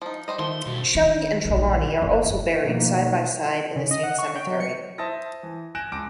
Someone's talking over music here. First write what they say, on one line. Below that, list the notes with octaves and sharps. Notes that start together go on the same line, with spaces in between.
Shelley and Trelawny are also buried side by side in the same Cemetery.
F3 D#4
G3 C5 D#5
D#3 F3 A3 C6
G2 B2
D#3
A#1 D#3
F#1
F4
B2 D#3 F3 A#3
C#3
D#5
F#5
C#6
G5
F#3
C#7
C5 E5 A5 D#6 A6 A#6
E3
G#5 F#6 G6 A#6 D7 E7
C#2 A5 D6 A#6 D7